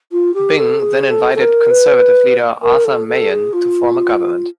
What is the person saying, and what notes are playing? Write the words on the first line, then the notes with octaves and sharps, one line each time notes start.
Byng then invited Conservative leader Arthur Meighen to form a government.
F4
G4
A4
G#4
A4
A4
A#4
B4
A#4
A4
A4
G#4
F4